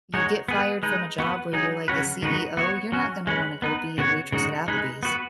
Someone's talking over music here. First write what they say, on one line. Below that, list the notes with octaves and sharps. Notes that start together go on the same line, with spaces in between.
you get fired from a job where you're, like, a CEO, you're not gonna wanna go be a waitress at Applebee's,
G#3 D#4 F#4 C#5
B3 G#4 B4
G#3 D#4 B4
B3 F#4 B4
F#3 D#4 G#4
C#3 F#3 C#4 F#4 B4
D#3 G#3 D#4 F#4 B4
B3 F#4 C#5
F#3 C#4 F#4
G#3 C#4 B4
B3 D#4 B4
C#3 B3 F#4 C#5
C#3 G#3 D#4 F#4
G#3 D#4 B4
B3 F#4 B4